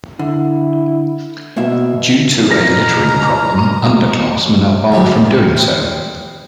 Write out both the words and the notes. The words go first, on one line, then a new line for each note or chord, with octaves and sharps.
Due to a littering problem, underclassmen are barred from doing so.
D3 E4
C2 B2 A#3 E5
D#2 B2 E3 A#5 F6 A#6
E2 D3 E3 F#3 G3
C4 B4 D#5